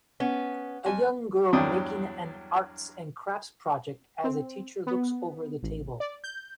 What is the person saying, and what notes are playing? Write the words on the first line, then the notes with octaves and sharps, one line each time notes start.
A young girl making an arts and crafts project as a teacher looks over the table.
B3 C#4
F2 G#5
E2 G2 F#3 D4 G5 D#6
C4
B3
A1
D5
G6